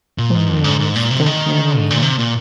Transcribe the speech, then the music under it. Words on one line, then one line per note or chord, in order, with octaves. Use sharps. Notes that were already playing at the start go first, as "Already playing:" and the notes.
Yes, definitely,
A#2
G#2
F2
G#2
G#2
A#2
C3
D#3
G#2
A#2
C3
A#2